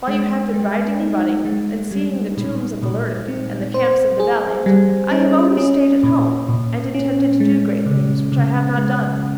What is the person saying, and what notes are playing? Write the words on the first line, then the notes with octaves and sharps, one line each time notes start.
While you have been riding and running, and seeing the tombs of the learned, and the camps of the valiant, I have only staid at home, and intended to do great things, which I have not done.
G#3
G#3
D#4
G#3
G3
A#2
A#2
C4
C5
G#4
G3
C#4
C#4
A#2
A#2
C#4
G#3
C#3
C#3
G#3